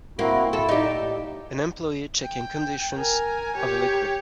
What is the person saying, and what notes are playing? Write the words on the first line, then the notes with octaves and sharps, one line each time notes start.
An employee checking conditions of a liquid.
A#3 C4 E4 F#4
E4 A4
D#4 G4
A2
G5
A#4 G#5
G4 C#5